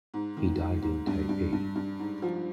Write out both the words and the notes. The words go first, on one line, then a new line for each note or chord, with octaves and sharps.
He died in Taipei.
G#2
D#3
G#2
G#2
G2
G2
G2
G2
G#2
F3